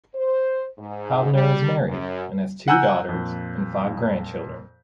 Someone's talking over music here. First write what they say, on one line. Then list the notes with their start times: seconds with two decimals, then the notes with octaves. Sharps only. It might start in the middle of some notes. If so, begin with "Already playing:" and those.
Haubner is married and has two daughters and five grandchildren.
0.14 C5
0.78 G#2
1.33 G3
1.88 F#2
2.68 F#5 G#5 A#5 E6 F#6 G6
3.09 F2 A#2